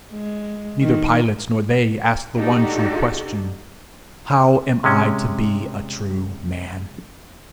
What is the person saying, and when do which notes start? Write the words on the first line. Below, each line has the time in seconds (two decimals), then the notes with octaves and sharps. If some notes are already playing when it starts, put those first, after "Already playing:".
Neither Pilate nor they ask the one true question, 'How am I to be a true man?
0.13 G#3
0.81 D#3
2.38 D4 D#4 F#4 G4 A4
4.84 C3 G#3 C#4